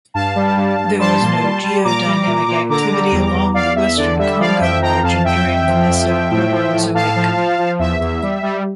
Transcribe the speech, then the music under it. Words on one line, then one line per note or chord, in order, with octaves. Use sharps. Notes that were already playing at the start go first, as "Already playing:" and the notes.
There was no geodynamic activity along the western Congo margin during the Mesoproterozoic.
G2 F5 A5
G3
G2
G2
G3 A5 C6
A#2
G3
G3
A#2 A#5 D6
G3
A#2
A#2
D3 A#5 D6
G3
E2
E2
E2 D5 F5
E2 E5
D3 D5
G3 E5
F3 D5 F5
F2 E5 G5
F3 G5 A#5
F2 F5 A5
F2 E5 G5
F2
F3
F2
F3
A2
F3
A2
A2 F5 A5
F3
F3
F3
E2 E5
E2
G3
G3